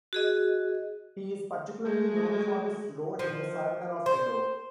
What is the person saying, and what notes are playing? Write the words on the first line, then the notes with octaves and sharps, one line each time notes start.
He is particularly known for his role in the surrender of Edo.
F#4 G#4 D#5
G#3 A3
F3
C5